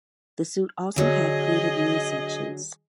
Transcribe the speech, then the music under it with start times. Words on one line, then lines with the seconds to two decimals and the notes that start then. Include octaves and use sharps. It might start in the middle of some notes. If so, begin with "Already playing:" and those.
The suit also had pleated knee sections.
0.96 D3 F#3 G#4 D#5